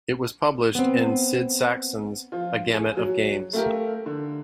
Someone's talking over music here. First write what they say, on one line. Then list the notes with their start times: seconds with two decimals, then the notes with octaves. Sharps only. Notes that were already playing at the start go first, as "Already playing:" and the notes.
It was published in Sid Sackson's A Gamut of Games.
0.75 B3 C4
2.32 F3 F4
2.74 G#4
2.97 F#3
3.53 A3 F4 G4 A#4
4.06 D3